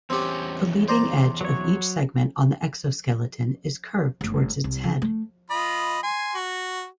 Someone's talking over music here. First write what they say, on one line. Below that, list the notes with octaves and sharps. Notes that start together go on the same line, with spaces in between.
The leading edge of each segment on the exoskeleton is curved towards its head.
E2 C4 C#4 G4
C5 D5 A#5
F#3 C#5
G1 A3
C2
C#3
A3
F4 D#5 B5
G#5 C6
F#4